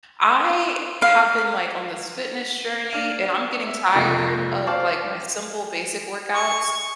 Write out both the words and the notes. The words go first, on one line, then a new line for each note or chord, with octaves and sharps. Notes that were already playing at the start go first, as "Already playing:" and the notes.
I have been, like, on this fitness journey, and I'm getting tired of, like, my simple basic workouts.
F5
D4 F5
E5
C2 F2 F3 G#3 A#3 C#6
C5 D5 F5 A5 C#6
C#6